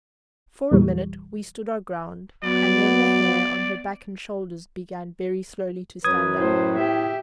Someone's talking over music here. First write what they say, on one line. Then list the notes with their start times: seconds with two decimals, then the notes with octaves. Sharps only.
For a minute we stood our ground, and then the hair on her back and shoulders began very slowly to stand up.
0.71 E2 A#2 E3 G3
2.43 F#3 B3 D5
6.04 F#2 F#3 B4 D#6 G#6
6.37 A2 A3 C5
6.77 G4 E5